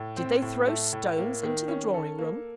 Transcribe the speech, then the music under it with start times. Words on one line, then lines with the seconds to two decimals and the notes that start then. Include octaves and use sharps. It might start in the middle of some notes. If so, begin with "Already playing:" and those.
Did they throw stones into the drawing-room?'
Already playing: A2
0.17 C4
0.42 A2
0.67 A3
0.93 A2
1.18 A#3
1.43 D#3
1.68 C#4
1.94 A4
2.19 A#3